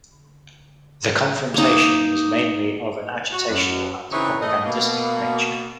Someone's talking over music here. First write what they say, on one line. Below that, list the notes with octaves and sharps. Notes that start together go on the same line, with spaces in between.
The confrontation was mainly of an agitational and propagandistic nature.
A#3 D#4
F#4
F#2
C#3 E3 C4 D#4 C#5 E5
A3 D#5
B2 A#3